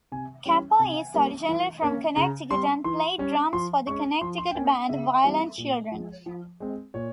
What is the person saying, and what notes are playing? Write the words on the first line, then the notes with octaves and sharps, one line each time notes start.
Cappo is originally from Connecticut, and played drums for the Connecticut band Violent Children.
C3 G#5
E3 G3 C#4 G5
C3 G#5
G3 A#3 C#4
E3
A#3 C#4
C#3 A#5
G3 C4 C6
E3 C6
G3 C#4
F3 C6
G#3 C#4 C#6
F3 C6
C6
G5
A#3 C#4 G#5
C#3 E5
E3 G3 C4
A#2
F3 G#3
F3
G#3 C4
A#2 C#5